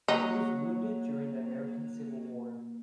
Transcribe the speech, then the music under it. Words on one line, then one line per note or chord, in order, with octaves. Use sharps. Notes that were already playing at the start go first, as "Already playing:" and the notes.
He was wounded during the American Civil War.
F#3 A#3 D#4